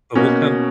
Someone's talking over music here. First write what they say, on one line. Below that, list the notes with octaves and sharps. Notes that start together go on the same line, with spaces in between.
and we'll come
B2 A#3 C#4 F#4